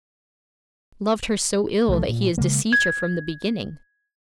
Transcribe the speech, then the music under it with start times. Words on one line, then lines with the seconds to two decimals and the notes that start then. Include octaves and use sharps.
'Loved her so ill that he has deceived her from the beginning.'
1.88 C2 F3 A3
2.08 A#2
2.38 C#3 G#3 A#3
2.73 G#6